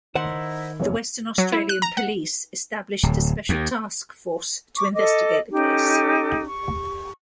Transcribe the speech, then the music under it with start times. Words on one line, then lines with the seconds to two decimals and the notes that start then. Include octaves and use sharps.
The Western Australian Police established a special task force to investigate the case.
0.15 D#3 D#4 E4 C5 F#5
0.80 F1 E2 C#5
1.38 F#3
1.52 E4
1.69 F#6
1.82 A#5
1.97 F#5
3.03 D1
3.49 D#2
4.76 C#6 D6
4.94 A4 D#5 D6
5.51 C#4 D#4 G4 A4
6.45 C#6